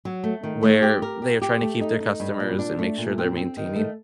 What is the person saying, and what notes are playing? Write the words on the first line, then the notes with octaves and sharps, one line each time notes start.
where they're trying to keep their customers, and make sure they're maintaining
F#3
A3
D#3
A3
G4
A#4
G4
G4
A3
D#4
D#4
G2
A#2
D4
A3
A#2
C4
C4
D#3
A3